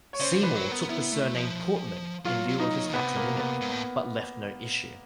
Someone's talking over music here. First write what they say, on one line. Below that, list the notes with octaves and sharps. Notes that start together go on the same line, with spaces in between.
Seymour took the surname Portman in lieu of his patronymic, but left no issue.
C#5
C#3 C5
D3
B4
F#3
A#4
B3
B3 E4
A3
F3
F#3 F4
F#3
D#4
F#3
C3 B3
A#3
B3
G#2
A2